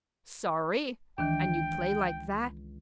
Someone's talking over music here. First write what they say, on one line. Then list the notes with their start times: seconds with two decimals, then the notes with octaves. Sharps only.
"Sorry!--and you play like that!"
1.18 C#2 D#3 E3 D4 G5